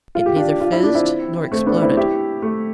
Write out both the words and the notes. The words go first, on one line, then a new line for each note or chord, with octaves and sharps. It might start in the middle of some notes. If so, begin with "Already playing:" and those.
It neither fizzed nor exploded.
F4
G4
D4 F4
F4
E4
D4
C4 E4
A3 C4
B3 D4
C4 E4
E4 G4
A3